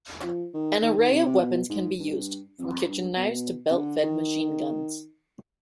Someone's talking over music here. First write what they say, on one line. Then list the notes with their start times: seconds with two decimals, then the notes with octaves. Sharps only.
An array of weapons can be used, from kitchen knives to belt-fed machine guns.
0.23 F3
0.53 D#3
0.83 D#3
0.97 D#3
1.12 C3
1.26 C3
1.41 B2
1.70 G#2
1.99 G2
2.59 F2
2.88 G2
3.16 B2
3.71 C3
3.76 D3
4.04 D#3